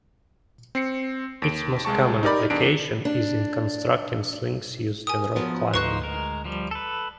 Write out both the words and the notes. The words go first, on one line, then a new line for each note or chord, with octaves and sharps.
Its most common application is in constructing slings used in rock climbing.
C4 C7 C#7
D#2 D7
C2 G#3 A5 C#6
D#4 G4 A#4 D5 B5
E2 D4 D7
D4
G4 A#4 G#5 D#6
F3 F#3 B3 A#4
D2 F3 D#4 B4 C5 C#6 F#6
G#3 A#4
F3 G3
A4 B4